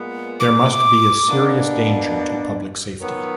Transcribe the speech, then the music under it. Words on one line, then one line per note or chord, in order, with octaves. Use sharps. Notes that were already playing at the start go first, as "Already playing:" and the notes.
There must be a serious danger to public safety.
Already playing: A#2 G#3 B3
D6
B2 A#3 D4
D#3 F#3 B3 F4